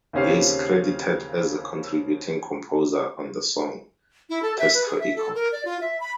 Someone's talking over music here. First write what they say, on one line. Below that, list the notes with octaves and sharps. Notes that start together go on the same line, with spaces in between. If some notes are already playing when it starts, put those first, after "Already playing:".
He is credited as a contributing composer on the song "Test for Echo".
D#2 C#3 C4 C#4 G4 F5
E4
A4
E5
B4
G#4
E5
A4
A#4
D5
F4
E5
B5